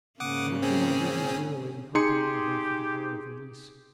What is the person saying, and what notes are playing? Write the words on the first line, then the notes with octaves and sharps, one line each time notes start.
I went through my duties wearily, hoping ever for the hour of release.
G#2 C#3 A#3 F#5 D6 D#6
C4 C#4 G#4
D#4 G4 G#4 C6 C#7